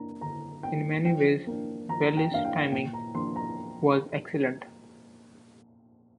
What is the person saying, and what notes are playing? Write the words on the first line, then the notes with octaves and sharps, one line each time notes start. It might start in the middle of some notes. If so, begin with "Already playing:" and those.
In many ways, Wallis' timing was excellent.
Already playing: A#3 D4 A#5
D3 A#5
A#3 D4 G5
F3 G5
A#3 D4
F3 A#5
G5
A#3 D4 F5
G5
A#2 G5
A#5
F3 A#3 D4 C6
A#5